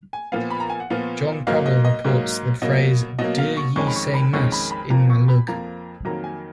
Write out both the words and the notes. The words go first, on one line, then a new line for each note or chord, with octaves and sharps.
John Prebble reports the phrase Daur ye say Mass in my lug?
G#5
A#2 F3 B3 F5
B5
A#5
G#5
F#5
A#2 F3 B3 F5
G#2 F#3 A#3 D#4 F5
D#5
D#5
G#2 F#3 A#3 D#4
B2 F#3 A#3 D#5
B2 F#3 A#3 D#5
F5
C#6
F2 D#3 G#3 C#4 C#6
B5
C#6
B5
F2 D#3 G#3 C#4 C#6
B5
B5
F2 F3 A#3 A#5
C#6
B5
F2 F3 A#3 A#5
F2 D#3 F#3 A#3 A#5
G#5